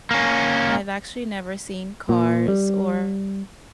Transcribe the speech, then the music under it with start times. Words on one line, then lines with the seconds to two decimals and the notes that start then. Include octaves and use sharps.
I've actually never seen Cars or,
0.11 A#3 C#4
2.09 A#2
2.48 G3